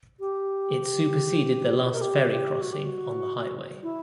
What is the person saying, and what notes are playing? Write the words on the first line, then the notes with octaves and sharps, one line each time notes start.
It superseded the last ferry crossing on the highway.
G4
A#4
G4
G4
F#4
G4
F#4
E4